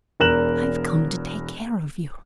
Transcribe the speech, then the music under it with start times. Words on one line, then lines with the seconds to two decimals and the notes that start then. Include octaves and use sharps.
I've come to take care of you.
0.20 E1 E2 A#4 F#6 E7 F#7